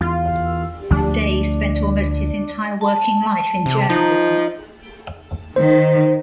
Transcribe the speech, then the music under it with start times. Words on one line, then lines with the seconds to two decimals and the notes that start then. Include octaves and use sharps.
Day spent almost his entire working life in journalism.
0.01 E2 F4
0.91 D2 F3 A3 D4
2.81 A5
3.66 C3
3.90 F3 D#4
5.56 D#3 C5